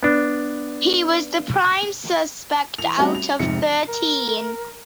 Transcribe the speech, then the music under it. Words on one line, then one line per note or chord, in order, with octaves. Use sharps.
He was the prime suspect out of thirteen.
B3 D4
E3 F7
G3 A3 C4 C#4 F#4
F7
F1 G#2 C3 C#7
A#4